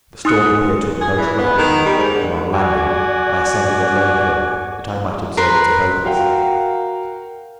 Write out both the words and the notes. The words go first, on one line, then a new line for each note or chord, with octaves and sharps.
The storm appeared to approach rapidly, and, on landing, I ascended a low hill, that I might observe its progress.
D#4 C6 D#6 F#6 C#7
G#4
E3
B3
D#3
G3
G#2
D3
F#4 D5 G#5
A#4 B4 B5 C6
F#4 A#4 F5 G5